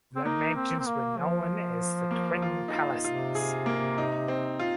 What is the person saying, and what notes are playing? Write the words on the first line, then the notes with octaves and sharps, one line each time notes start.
The mansions were known as the Twin Palaces.
C4
A#3 D#4
C4
C4
A#3
F3
A#3
F4
D#4
F4
C3 F4
G#4
A#3
D#4
C4
F4